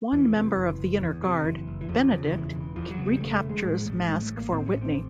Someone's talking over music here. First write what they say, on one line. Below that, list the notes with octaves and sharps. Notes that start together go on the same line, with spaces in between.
One member of the Inner Guard, Benedict, recaptures Masque for Whitney.
E2 E3
C3
F#1
F#1
E2
C3
F#1 E3
F#1
E3
E2 F3
C#3
E1 E3
E1
E2 F3
F#3
C#3
G3
E1 A3
A3
E1
G#3
A2 G#3
A1 A3
A2 G#3
A3
A1
A#3
A2 C4
C#4
A1
C4